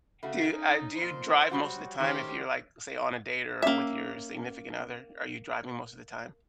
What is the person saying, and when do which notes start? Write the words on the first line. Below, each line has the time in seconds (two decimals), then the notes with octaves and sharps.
Do, uh Do you drive most of the time if you're, like, say, on a date or with your significant other? Are you driving most of the time?
0.23 C#3 A3 F#4
0.52 C#4 D#4
0.97 F2 A#2 C5
1.51 F#3 G3 F#4
1.99 D#3 A3 C#4 G4 C5
3.62 A#3 C#4 C#5 E5 D6